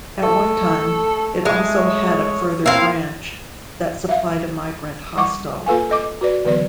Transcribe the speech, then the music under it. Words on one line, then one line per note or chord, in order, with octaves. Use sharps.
At one time, it also had a further branch, that supplied a migrant hostel.
A3 A4
G#3 E5
C#5
A#3 C4 E4 F5
E5 F5
G3 F#5 C#6 D6
A#3 F4 A4 B4 F5 G#5
A4 D#5 D6
F#4 B4 D5
D3 E3 F#3 B3 D5